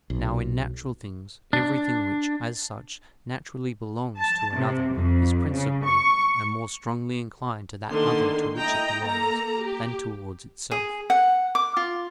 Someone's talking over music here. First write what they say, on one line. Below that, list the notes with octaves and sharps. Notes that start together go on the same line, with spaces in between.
Now, in natural things, everything which, as such, naturally belongs to another, is principally, and more strongly inclined to that other to which it belongs, than towards itself.
B1
D4
A5
C3
F2
C#3
C#6
D3 D#3 A#3 C6
E4 D#5 G5 A#5
A#3 A4 A#5
G4
G#4
F#5
D6
F4